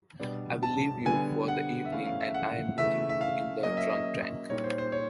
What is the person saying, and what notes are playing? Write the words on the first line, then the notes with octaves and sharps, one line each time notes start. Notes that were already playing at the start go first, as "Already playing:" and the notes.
I’ll leave you for the evening and I’m meeting you in the drunk tank!
B2 G3 B3 D4
A5
D3 G3 B3 G#5
F#5
E5
E3 A3 C#4 E4 F5
F5
E5
F#5
C#3 E3 A3 E5
E5
F5
F#3 A#3 C#4 D#5
E5
D#5
A#2 G3 A#3 D#4 C#5
C5
C5
C#5